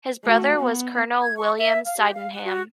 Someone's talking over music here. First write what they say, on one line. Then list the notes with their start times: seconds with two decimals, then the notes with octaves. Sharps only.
His brother was Colonel William Sydenham.
0.24 A3 F#4
0.58 B3
1.21 G#6
1.36 C#6
1.59 E5
1.84 F5
1.98 G4
2.14 F5
2.32 F#5
2.46 F#4